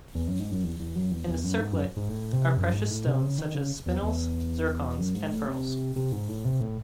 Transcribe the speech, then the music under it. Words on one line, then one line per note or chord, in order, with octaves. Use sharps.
In the circlet are precious stones such as spinels, zircons, and pearls.
E2
F#2
G#2
F#2
E2
E2
F#2
E2
E2
F#2
G#2
F#2
G#2
A2
C3
F#2
G#2
A2
C3
C#3
D#3
C#3
E2
E2
F#2
G#2
A2
C3
C3
G#2
A2
C3
A2